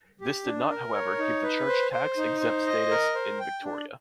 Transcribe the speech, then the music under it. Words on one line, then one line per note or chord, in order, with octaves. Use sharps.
This did not, however, give the Church tax exempt status in Victoria.
G4
D4
A#4
C#5
D#4
B4
C5
C5
D#4
C5
D#5
A#4
C5
G5
D4